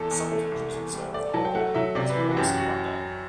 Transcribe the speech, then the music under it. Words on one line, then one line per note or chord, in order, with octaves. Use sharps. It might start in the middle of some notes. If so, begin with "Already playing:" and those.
Some countries observe the holiday as "August Monday".
Already playing: E2 A4
E2
A3
C2
E2
G3
A3 D5
F#3 A5
G5
A3 F#5
F#3 E5
C3 D5
B4
E3
F#4
F#2 G4
F#4
F#4